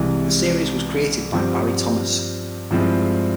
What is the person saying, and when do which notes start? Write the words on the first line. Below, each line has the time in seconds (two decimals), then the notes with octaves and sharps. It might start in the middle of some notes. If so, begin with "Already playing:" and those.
The series was created by Barry Thomas.
Already playing: C2 C3 E3 G#3 E4
1.32 G2 F3 C4 G4
2.71 G2 F3 G#3 C4 E4